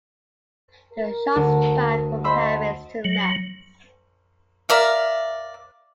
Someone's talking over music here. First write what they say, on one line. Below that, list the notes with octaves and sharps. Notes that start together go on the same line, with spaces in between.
The shots span from Paris to Metz.
A#4
D2
C5 D#5 B5 E6
F#3
A#4 D5 E5 F5